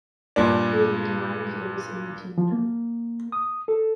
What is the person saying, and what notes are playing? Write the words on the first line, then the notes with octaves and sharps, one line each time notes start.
He will be nine years in the kingdom.
G2 A#2 D4
F3
A#3
D#6
A4